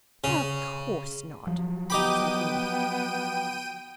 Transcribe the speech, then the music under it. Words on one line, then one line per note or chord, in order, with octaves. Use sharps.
"Of course not," said Nina.
C#3
F3 F#3
B3 D#4 G4 G5 B5 D#7